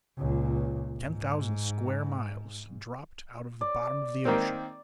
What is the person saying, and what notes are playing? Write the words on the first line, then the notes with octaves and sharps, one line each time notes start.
Ten thousand square miles dropped out of the bottom of the ocean!
C#2 A#2
G#2
D5
D#3 A#3 C4